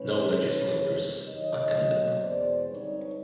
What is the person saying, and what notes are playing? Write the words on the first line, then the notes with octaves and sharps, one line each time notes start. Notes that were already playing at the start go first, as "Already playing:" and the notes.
No legislators attended.
Already playing: A2 E3 A3 C#4 B4 C#5
F#2 D#3 G#3
C3 D#3 G3
G2 D#3 F#3 C#5 D#5
B2 F#3 A#3 C#4
E2 B2 G#3 C5 D5
G2 D3 G3 C4 D#4 B4 C#5